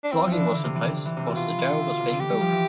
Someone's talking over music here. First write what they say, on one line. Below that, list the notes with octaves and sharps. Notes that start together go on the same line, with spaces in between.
Flogging was in place whilst the gaol was being built.
D4
C4 E4
F3
D4
E3
D3
C3
E3
D3
C3
E3
C3
B2
C3 F4
E3
D3
B2
C3
D3
E3 G4
G3
F3
E3